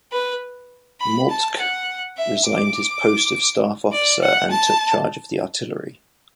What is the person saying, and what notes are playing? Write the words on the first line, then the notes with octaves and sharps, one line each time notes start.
Moltke resigned his post of staff officer and took charge of the artillery.
B4
B5
A5
F#5
E5
D6
D5
F#5
A5